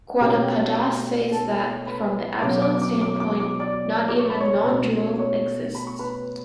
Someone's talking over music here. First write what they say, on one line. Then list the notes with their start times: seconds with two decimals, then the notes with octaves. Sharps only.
Gaudapada states that, from the absolute standpoint, not even "non-dual" exists.
0.21 B2 A3 C#4 G4 G5
1.31 A4 A5
1.87 B4 B5
2.42 B2 F#3 C#4 D6
2.62 D6
2.82 D6
3.01 D6
3.20 D6
3.40 D6
3.60 D5 D6
4.08 D6
4.19 C#6
4.30 B5
4.40 C#5 C#6
4.64 B2 A3 C#4
5.19 C#5 C#6
5.75 B5
5.87 C#6
5.99 B4 B5